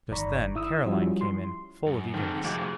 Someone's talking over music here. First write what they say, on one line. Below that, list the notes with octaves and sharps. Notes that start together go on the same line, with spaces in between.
And, just then, Caroline came in, full of eagerness.
G1 D#3 D5 A#5 B5 C#6
E4 D#6 E6
F3 G3 C#4 E4 F#4
C6
F#2
G#2 D#3 G#3 C4 A4
F2 C3 G#3 A3 F#4 G4